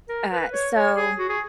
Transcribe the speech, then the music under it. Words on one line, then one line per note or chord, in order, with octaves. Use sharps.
Uh, so,
A#4
B4
C#5
C#5
G#4
F#4
G#4